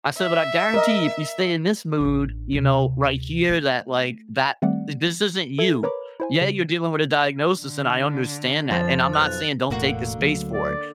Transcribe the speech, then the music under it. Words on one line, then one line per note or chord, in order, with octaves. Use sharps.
I said, "But I guarantee you, if you stay in this mood, you know, right here, that, like, that this isn't you. Yeah, you're dealing with a diagnosis, and I understand that, and I'm not saying don't take the space for it.
E5
A#4 D#5
A1 D4
D2 C3
A3
D#3 G3 A3 C4 D5 F#5
A4 E5 G#6
A#4 B4 C#5 A#5 B5 D6
E4 C5 G#5
C#3
D3
F2 F3 C5 A6
B1 F3 F#6 F7
E1 A2 D3 A#3 F#4
D2 F#3
D5